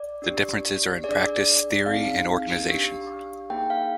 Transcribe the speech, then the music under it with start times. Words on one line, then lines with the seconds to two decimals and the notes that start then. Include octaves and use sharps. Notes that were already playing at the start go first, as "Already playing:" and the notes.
The differences are in practice, theory and organisation.
Already playing: D5
0.22 D4 G4
1.04 D4 G#4 D5
1.86 C4 D#4 G#4 F5
2.68 D4 G4
3.50 A#3 D#4 G#4 G5
3.70 F5